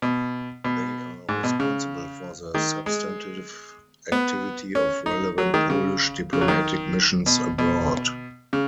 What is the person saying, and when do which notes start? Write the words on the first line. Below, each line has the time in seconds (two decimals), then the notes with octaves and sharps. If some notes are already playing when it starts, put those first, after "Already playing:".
They are responsible for the substantive activity of relevant Polish diplomatic missions abroad.
0.02 B2
0.64 B2
1.29 G#2
1.44 B2
1.60 C#3
2.55 D#3
2.86 G#3
4.12 B3
4.75 C#4
5.06 D#4
5.38 F#3
5.54 D#3
5.70 C#3
6.33 C#3
6.41 F#3
6.48 D#3
7.26 B2
7.58 B2
8.53 C#3